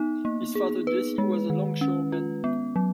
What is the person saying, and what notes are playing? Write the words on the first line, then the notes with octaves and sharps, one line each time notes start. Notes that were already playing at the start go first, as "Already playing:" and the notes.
His father Jessie was a longshoreman.
Already playing: B3 D#4
A#3
G#4
B4
G#3
D#3
C#4
F4
B3
F#3